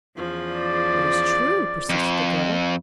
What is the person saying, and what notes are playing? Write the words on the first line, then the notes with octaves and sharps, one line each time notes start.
'It is true,' persisted the girl.
E2 C#3 F3
D5
F2